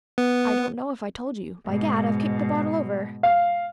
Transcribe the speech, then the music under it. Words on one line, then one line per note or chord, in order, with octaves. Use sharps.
I don't know if I told you--By Gad, I've kicked the bottle over.
B3
G#2 B2
F5